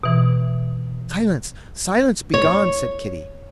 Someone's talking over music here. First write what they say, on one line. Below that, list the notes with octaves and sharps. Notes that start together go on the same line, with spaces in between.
"Silence, silence, begone!" said Kitty.
B2 E3
C#5